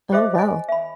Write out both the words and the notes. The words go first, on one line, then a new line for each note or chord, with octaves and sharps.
Oh, wow.
G4 C5 D#5 E5 D6
D#5 G#5
E5 B5